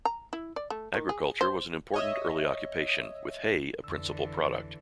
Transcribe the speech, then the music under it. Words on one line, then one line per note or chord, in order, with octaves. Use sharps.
Agriculture was an important early occupation, with hay a principal product.
A#5
E4
D5
A3
D#3
G#4
C5
C#5 D#5 E5
F2 D3 E3 E6